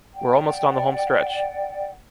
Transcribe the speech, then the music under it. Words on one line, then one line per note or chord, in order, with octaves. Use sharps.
We're almost on the home stretch.
D5 F#5 G5